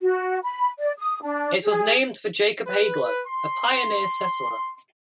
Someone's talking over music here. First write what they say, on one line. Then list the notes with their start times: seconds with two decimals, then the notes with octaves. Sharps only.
It was named for Jacob Haigler, a pioneer settler.
0.01 F#4
0.43 B5
0.79 D5
0.99 D#6
1.22 D4
1.63 G#4
2.67 B4
3.27 C6